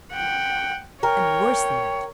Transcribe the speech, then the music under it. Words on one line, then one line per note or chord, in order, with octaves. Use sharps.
And worse than that!
F#5 G5
A#4 C#5 G5